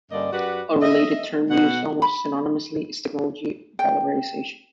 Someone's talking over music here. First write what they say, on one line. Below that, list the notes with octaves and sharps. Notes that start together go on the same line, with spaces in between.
A related term, used almost synonymously, is "technology valorisation".
G2 D3 A#3 C#4 D5 D#5
F#2 F#4 G4 B4 D5 F#5
D#5 E5
B2 F#5
B5
G5